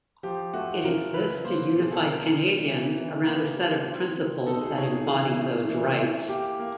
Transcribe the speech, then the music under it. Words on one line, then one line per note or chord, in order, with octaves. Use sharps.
It exists to unify Canadians around a set of principles that embody those rights.
F3 G4
A3 F#4
C#3 A#4
F#3 B4
A#3 C5
B2 G#4
A4
D3 A#4
D#4
E3
E3
A#3 B4
G3
C4
C4
D#4 A4
G#4
D#4 C#5
G#4
E3 G#4
A3
E3
A3
A#3 G4
A#3